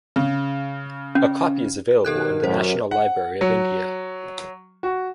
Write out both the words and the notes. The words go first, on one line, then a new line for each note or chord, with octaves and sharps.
A copy is available in the National Library of India.
C#3
C#4
B2 D#3 G4 A4 A#4 F#6
F#2 C5
F#5
F#3
F#4